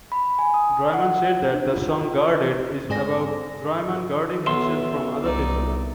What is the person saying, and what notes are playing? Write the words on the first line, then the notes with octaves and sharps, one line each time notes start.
Draiman said that the song "Guarded" is about Draiman guarding himself from other people.
B5
G#5
D#6
F#5
D4
F4
F4
G#2 C4 G#4 D5 A#6
B1 E5 C6
C2 D#4 D5